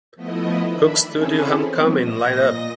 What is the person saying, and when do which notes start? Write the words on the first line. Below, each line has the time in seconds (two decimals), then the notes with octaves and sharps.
Coke Studio Homecoming line up.
0.15 F3 A3 B3 E4 D#5
0.67 D#3 D4 E5 B5
1.07 E3 C4 C#4 E4 G#4 A4
1.67 F3 G3 B3 C4
1.99 A#2 D#5 A#6